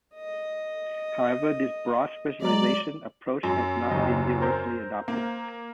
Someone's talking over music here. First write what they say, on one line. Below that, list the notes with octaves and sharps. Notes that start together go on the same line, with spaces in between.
However, this "broad specialization" approach has not been universally adopted.
D#5
F#3 G#3 D5 A#5
F#2
F#1 D#2 D#5
C4 A#4 C5
A#3